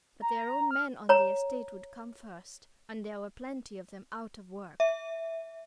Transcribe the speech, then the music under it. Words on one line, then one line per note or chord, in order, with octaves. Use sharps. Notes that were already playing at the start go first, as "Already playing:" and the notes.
But their own men on the estate would come first, and there were plenty of them out of work.
A#5
F6
C#5 A#5
E5